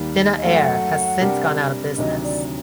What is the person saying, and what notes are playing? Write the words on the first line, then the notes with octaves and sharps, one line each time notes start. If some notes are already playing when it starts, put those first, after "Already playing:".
Fina Air has since gone out of business.
Already playing: D#2 D#3 G3 A#3
D#5
F#2 F#3 A3 F#5
C3 G3 D4 G4 A#4
D2 C3 D#3 F#3 D#5
D5